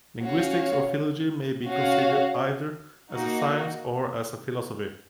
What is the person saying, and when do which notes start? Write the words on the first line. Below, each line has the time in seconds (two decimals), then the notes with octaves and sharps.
Linguistics or philology may be considered either as a science or as a philosophy.
0.24 C#4 F#4 C#5 F5
1.68 C#4 F#4 C#5 F5
3.12 A#3 D#4 F#4